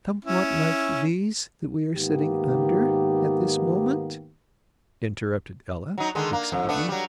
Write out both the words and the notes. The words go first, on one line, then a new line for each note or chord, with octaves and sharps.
"Somewhat like these that we are sitting under at this moment?" interrupted Ella excitedly.
C#4 E4
G#2 D#3 A#3 B3 G4
F#3 D#4
D3 D#3 G#3
A#3
F2
A3 B3 D4
F#3 G3